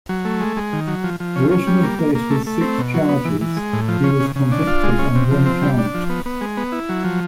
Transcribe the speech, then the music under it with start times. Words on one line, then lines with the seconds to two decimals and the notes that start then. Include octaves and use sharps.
Originally faced with six charges, he was convicted on one count.
0.09 F#3
0.25 A3
0.40 G#3
0.57 G#3
0.73 D#3
0.88 F#3
1.04 F3
1.20 F3
1.36 C#4
1.51 C#4
1.67 G3
1.83 A#3
1.99 A#3
2.15 A#3
2.30 A3
2.46 A3
2.61 C4
2.78 B2
2.94 F#3
3.09 B3
3.25 E3
3.41 E3
3.56 G#3
3.73 A2
3.88 F3
4.04 C#4
4.20 C#3
4.36 C#3
4.52 D4
4.67 F4
4.83 G#3
4.99 C#4
5.15 C3
5.31 F3
5.46 C4
5.62 G3
5.79 D4
5.94 F3
6.09 B3
6.26 B3
6.41 G#3
6.57 B3
6.72 E4
6.89 F#3
7.04 F3